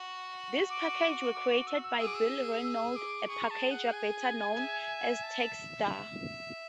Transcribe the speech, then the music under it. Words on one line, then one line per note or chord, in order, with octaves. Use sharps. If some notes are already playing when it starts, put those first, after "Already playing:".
These packages were created by Bill Reynolds, a packager better known as "Texstar".
Already playing: F#4
D6
D6
D6
E6
E6
G#4 E6
D6
E6
E6
D6
G#4 C#6
A5
F#5
G#5
E5
A5